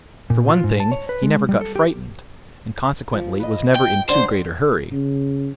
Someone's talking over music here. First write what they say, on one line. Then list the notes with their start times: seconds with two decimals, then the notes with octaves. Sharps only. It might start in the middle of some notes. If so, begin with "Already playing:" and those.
For one thing he never got frightened, and consequently was never in too great a hurry.
0.30 A#2
0.49 F4
0.64 G#2
0.80 A5
0.92 C#5
1.09 B4
1.23 G#3
1.49 G3
1.61 A4
1.76 G4
3.13 F3
3.40 B4 D#5
3.76 G5
4.10 D3 D4 C5
4.92 C#3